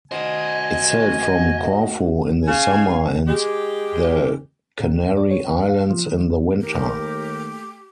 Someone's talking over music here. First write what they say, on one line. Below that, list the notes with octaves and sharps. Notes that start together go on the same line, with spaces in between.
It sailed from Corfu in the summer and the Canary Islands in the winter.
F#4 C5 D#5 G#5
C#3 F5 G#5
G#3 G4
A#2
D2
D5
C#5
D#2
F5
F3
D#3
D#2 A3 G4 A#4